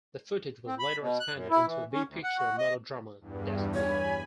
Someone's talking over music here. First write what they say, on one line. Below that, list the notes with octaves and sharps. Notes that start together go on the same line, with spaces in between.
The footage was later expanded into a B-picture melodrama "Destiny".
C4
B5
B2
F#6
F#2
E4
E3
C#4
D2
F#5
F#4
D#5
E2 G2
C#5 G#5 B5